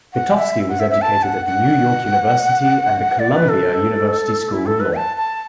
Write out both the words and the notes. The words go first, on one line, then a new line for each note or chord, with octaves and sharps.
Pitofsky was educated at New York University and the Columbia University School of Law.
F#5
E5
F#5
E5
E5
A5
F#5
F#5
D5
B4
A4
E4
A4
B4
A5
A5